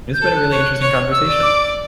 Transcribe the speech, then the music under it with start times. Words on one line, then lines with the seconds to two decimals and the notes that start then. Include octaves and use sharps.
It's been a really interesting conversation.
0.14 G6
0.21 A4
0.36 F#6
0.51 C#5
0.60 F#6
0.81 C#5
1.11 E6
1.26 D5
1.42 D6